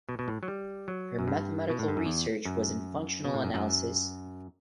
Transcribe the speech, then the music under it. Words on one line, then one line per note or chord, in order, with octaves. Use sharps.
Her mathematical research was in functional analysis.
B2
B2
A2
F#3
G3
F#3
F#2
G2
B2
A2
G2
F#2
E2
F#2
B2
A2
F#2
F#2